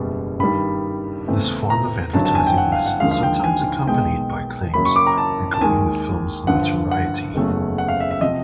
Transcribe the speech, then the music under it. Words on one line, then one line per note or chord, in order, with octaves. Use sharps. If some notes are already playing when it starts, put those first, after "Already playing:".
This form of advertising was sometimes accompanied by claims regarding the film's notoriety.
Already playing: F#1 E2 B2 G3
G2 D#3 G3 B5
E2 C#3 E3 A3 C4
A#5
G#1 G2 D3 F#3 A5
A5
G#5
G5
F#5
F5
F#5
D#2 D3 F3 G#3 F5
F5
G5
G#5
B1 B2 G#3 G5
F#2 C#3 F#3 A#3 B5
C#6
D6
A#5
A5
A5
D#2 D#3 G#3 G#5
G2 D3 F3 F#5
F#5
F#1 E2 C#3 F#3 A3
F#5
F5
E5
E5
C3 F3 D#5